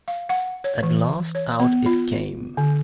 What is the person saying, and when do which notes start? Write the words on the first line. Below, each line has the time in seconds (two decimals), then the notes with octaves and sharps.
At last out it came.
0.08 F5
0.29 F#5
0.64 C#5
0.83 E3
1.35 C#5
1.60 B3
1.86 F4
2.57 D3